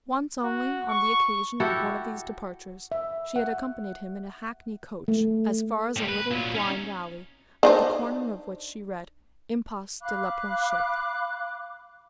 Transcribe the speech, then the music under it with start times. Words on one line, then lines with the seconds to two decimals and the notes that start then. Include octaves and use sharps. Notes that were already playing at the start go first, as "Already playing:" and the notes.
Once only, on the occasion of one of these departures, she had accompanied him in a hackney-coach as far as a little blind-alley at the corner of which she read: Impasse de la Planchette.
0.44 F#4
0.89 C#6
1.60 E4 F#4 G4 A4
2.92 E5
3.36 F#5
5.08 A3
5.96 A2 G3
6.09 B4
6.31 A#2 F#3
6.55 C#4 D#4
7.63 D4 D#4 C5
10.02 F5 B5 D6 F#6